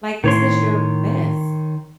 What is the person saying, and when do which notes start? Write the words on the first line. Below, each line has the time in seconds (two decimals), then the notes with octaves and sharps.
Like, this is your best
0.24 A2 D#3 C#5 C6